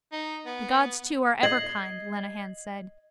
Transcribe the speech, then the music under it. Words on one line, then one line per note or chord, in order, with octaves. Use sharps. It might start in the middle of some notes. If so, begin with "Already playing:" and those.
The gods too are ever kind, Lenehan said.
D#4
B3
D#5 G#6 C7 F#7